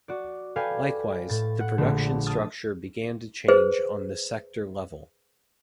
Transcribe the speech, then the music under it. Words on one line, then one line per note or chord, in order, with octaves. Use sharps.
Likewise, the production structure began to change on the sector level.
F#4 D5
A4 B4 D5 F5 G5 G#5
A2 A6
F#5
A#1 D3 A3
A5 D#6 F6 A6
G#4 B4 C5